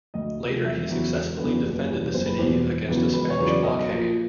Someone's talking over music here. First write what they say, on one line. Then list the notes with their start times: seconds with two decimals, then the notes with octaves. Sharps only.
Later, he successfully defended the city against a Spanish blockade.
0.14 D2 D#5
0.40 C3 F3 A3
0.64 E1 E5
0.89 E2 C#3 F#3 B3
1.15 E1
1.39 E2 C#3 F#3 B3
1.64 F#1
1.89 E2 B2 G3
2.14 F#1 C5
2.26 B4
2.39 E2 B2 G3 C5
2.64 E1
2.88 E2 C#3 F#3 B3
3.14 E1 B4
3.30 C#5
3.39 E2 C#3 F#3 B3
3.47 D5
3.64 B1 D#5
3.89 A#2 F3 A#3